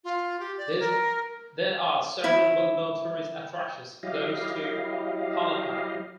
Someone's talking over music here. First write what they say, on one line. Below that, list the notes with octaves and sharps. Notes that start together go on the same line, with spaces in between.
There are several well-known tourist attractions close to Palapye.
F4
G4
D5
A#4
E4
F#3 E4 G4 D#5 F5